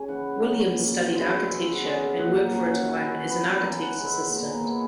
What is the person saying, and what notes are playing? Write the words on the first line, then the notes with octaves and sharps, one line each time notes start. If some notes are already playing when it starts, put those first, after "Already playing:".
Williams studied architecture and worked for a time as an architect's assistant.
Already playing: C#3 C#4 G#5
E3 F#5
A#3 C#4
B2
G#3 B3
C#3 E5
F#5
G#3 C#4
E5
A#2 F#5
A#5
F#3 C#4 A#5
F#5
E3 G#5
B3
E3 G#5 A#5
F#5
G#3 B3
E5
A#2
A#5
G#5
A#5
G#3 B3 G#5